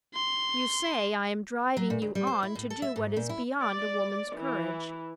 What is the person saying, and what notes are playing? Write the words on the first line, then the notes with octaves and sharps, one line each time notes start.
You say I am driving you on to do what is beyond a woman's courage.
C6
F#3
A#2
D2
G3
C5
E4
A2
A4
E5
G#2
A#2
E4
D5
E3